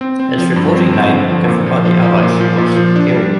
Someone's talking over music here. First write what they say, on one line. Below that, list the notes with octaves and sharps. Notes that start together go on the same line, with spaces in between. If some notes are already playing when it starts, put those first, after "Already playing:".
Its reporting name given by the Allies was "Perry".
C4
C4
F3
G2
C4
C4
D3
F3
A#2
F3
F3
F3
A#2
F3
A#2
F3
D4
G3